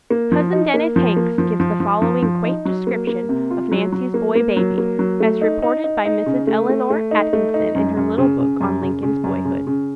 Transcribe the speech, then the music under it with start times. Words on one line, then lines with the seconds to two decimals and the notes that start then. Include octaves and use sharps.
Cousin Dennis Hanks gives the following quaint description of "Nancy's boy baby," as reported by Mrs. Eleanor Atkinson in her little book on "Lincoln's Boyhood."
0.10 A#3
0.32 F3
0.53 D#4
0.74 A#3
0.96 F3
1.16 A#3
1.38 F3
1.60 F3
1.80 F3
2.02 F3
2.22 F3
2.44 D#4
2.65 F#3
2.87 A#3
3.07 A#3
3.29 C3
3.51 F4
3.72 F#3
3.92 F#3
4.14 A#3
4.35 A#3
4.57 F#3
4.78 A#3
4.99 F#3
5.20 A3
5.41 D#4
5.62 D#4
5.84 D#4
6.05 D#4
6.26 C#3
6.47 A3
6.69 A3
6.90 A3
7.11 D#4
7.33 A3
7.54 D#4
7.75 F#2
7.97 F#2
8.18 C#3
8.39 C#3
8.60 F#2
8.82 C#3
9.03 C#3
9.24 F#2
9.45 C#3
9.67 C#3